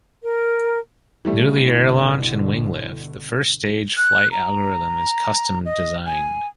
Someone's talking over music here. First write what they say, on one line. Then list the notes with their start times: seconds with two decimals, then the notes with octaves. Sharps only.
Due to the air launch and wing lift, the first-stage flight algorithm is custom-designed.
0.23 A#4
1.25 G1 B2 D3 E3 G3 A3
3.97 F#6
4.32 A#5
5.65 D#5
6.06 G#5